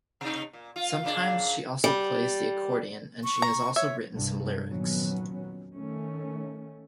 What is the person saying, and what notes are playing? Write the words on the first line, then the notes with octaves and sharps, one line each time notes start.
Sometimes, she also plays the accordion and she has also written some lyrics.
C3 D#4
A#2
F4
A#2 C#3 D4
G3
C#6
A#5
C#5 E5
C2 G2
F2 A#2 D#3 F#3 B3 C#4
D#3 A3 C#4